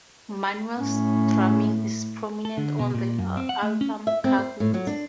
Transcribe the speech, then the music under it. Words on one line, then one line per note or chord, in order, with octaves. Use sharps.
Manuel's drumming is prominent on the album "Cahoots".
A2 C#4
A4
D3
B2
A#2
F#2
C4
F#5
A3
C#4
E5
C4
C5
A2
F#3
D4